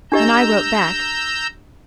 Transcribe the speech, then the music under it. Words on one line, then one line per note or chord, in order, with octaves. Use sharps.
And I wrote back.
D4 G4 D#5 A#5 E6 G6